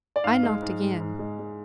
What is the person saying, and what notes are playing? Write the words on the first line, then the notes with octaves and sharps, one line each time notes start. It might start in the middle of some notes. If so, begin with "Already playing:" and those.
I knocked again.
D5
G#2 F5
G#3
G#2
G#2
G#2
G#3
G#3